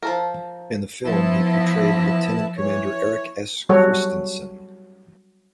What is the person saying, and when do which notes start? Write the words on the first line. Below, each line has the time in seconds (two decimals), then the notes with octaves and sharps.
In the film, he portrayed Lieutenant Commander Erik S. Kristensen.
0.03 F3 A4 A#4
1.05 F3 B3 E4 A5
2.57 E3 C#5
3.69 F#3 G3 F#4 A4 C#5